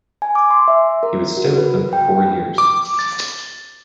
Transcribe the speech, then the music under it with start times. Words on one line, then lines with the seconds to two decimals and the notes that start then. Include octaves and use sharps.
He would stay with them four years.
0.22 G#5
0.35 D6
0.50 C6
0.68 E5
1.03 A#4
1.37 F#4
1.58 B4
1.93 G5
2.58 D6
2.99 A6